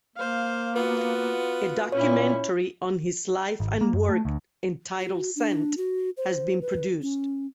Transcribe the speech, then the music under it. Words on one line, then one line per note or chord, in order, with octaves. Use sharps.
A documentary on his life and work entitled "Sent" has been produced.
A#3 C5 F5
B3 F4 F#4
A#2 C#4 E4 C#5
G#1
A#3
F#2
A3
D2
F#4
D4
F#4
C5
B4
C#4